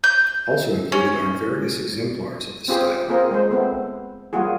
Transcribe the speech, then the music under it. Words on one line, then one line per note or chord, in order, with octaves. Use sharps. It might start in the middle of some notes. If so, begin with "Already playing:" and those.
Also included are various exemplars of this style.
G6
C#4
C4 F4 G4 G#4 C5
A#3 C4 F4 G#4 A#4 C5
G#3 C5
A3 B3 C4
G3 A#3 F4 F#4 G#4